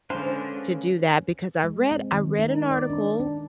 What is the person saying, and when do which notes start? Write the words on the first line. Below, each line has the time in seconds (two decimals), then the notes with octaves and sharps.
to do that, because I read I read an article
0.10 D3 G#3 C#4 B4 C5 F5
1.64 G#3
1.91 C4
2.12 D#3
2.38 D#4
2.71 D5
2.90 D4
3.20 D4